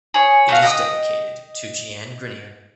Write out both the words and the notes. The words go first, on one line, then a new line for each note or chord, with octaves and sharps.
It is dedicated to Jeanne Granier.
G#4 C#5
A3 F#4 F5
D#5 G5 D#6